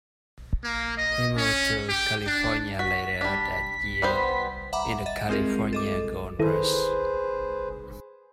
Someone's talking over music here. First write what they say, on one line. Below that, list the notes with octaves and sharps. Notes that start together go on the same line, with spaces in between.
He moved to California later that year in the California Gold Rush.
A#3
D#5
C#4
G4
D4
F#4 B6
G3 D4
G3 B3 C5
E5 F#5 A#5 B5 D6
D#5 E5 A6
G#3 C4 F4 G#4 A#4
A4 D#5 D6
D#3 E4 G#4 A4 B4 C5